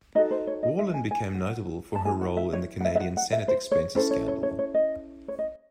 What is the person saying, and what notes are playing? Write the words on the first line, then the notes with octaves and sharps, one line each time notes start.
Wallin became notable for her role in the Canadian Senate expenses scandal.
D#4 F#4 A4 D#5
C5
C#5
D#5
E5
G#5
G#5
F#5
A5
E4 G#4 G#5
F#5
E5
C#5
F#5
E5
E5
F#5
F#5
E5
C5
C#5
C#4 E4 A4 C5
C#5
C#5
C#5
C#5
D#5
C#5
D#5